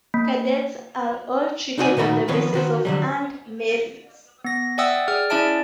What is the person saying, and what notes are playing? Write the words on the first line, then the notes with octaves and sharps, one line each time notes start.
Cadets are all treated on the basis of earned merit.
A#3
C4 D#4 F#4 D5 D#5 G#5
A#2 D#3 D#4 F#4 B5
D#3 F3 B3 C4 B4 C#5
D#3 F#4 C5
D3 F#3 G3
B3 A#6
D5 E5 F#5 G5 D#6 E6
G#4 D5 F6
C#4 E4 D5 E5 A5 D7